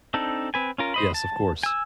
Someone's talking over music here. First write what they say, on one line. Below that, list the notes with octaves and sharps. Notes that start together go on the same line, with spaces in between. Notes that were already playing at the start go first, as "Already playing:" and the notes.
Yes, of course.
C4 D4 D#4 A4
C4 B4 G#5
C#4 F4 A#4
C5 D#5 B5
A5
G#5 E6